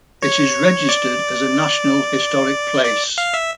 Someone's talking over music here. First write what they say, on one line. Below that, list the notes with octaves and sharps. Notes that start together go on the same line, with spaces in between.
It is registered as a National Historic Place.
C#5
D5
D5
F5
E5